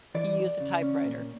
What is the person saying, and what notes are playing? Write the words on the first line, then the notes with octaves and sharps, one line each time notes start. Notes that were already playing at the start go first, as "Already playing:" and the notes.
he used a typewriter.
E3 D5
E2
C#3
C#4
A#2